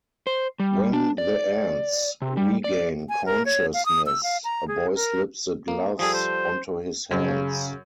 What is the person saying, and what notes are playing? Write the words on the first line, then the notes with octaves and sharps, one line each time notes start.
When the ants regain consciousness, a boy slips the gloves onto his hands.
C5
G3
D4
D5
C3
G3
D5
G#5
A#4
C#5
F5
D#6
E6
F5
A#5
G#4
A#4
A#3
F3 G3 G#4 A4
C5
F#2 C#3